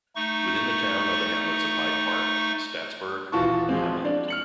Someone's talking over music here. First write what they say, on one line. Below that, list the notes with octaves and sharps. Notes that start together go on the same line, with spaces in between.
Within the town are the hamlets of Hyde Park, Staatsburg, and Haviland.
A3 D#4 C#6
D#1 E3 F4 F#4 A5 C#6
F3 G#3 C4
D4 D5
F6 C#7 F#7